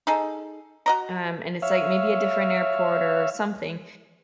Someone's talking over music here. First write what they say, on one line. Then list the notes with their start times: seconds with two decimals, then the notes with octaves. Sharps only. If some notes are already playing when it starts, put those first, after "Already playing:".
um, and it's like maybe a different airport or something,
0.07 D#4 G#4 A4
0.86 F#4 D#5 A#5
1.62 C#5 E5 F5